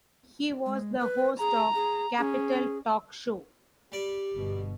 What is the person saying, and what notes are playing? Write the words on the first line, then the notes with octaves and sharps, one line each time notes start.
He was the host of "Capital Talk Show".
G#3
B4
G#4 A#5
G#4
C#4 G#4
G3 G4 D5
G1 B2